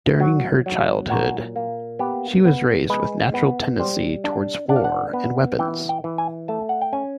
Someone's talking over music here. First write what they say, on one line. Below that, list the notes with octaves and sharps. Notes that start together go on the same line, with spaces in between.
During her childhood, she was raised with a natural tendency towards war and weapons.
F#3 F#4
F#3
A#2 F#4
A#3
B3 G4
B3
G#3 B4
B3
G3 C5
D4
D4 F#5
F5
F#5
B3
E3 G5
G5
E3
G#5
A3 A5
F#5
G5
C#4 G#5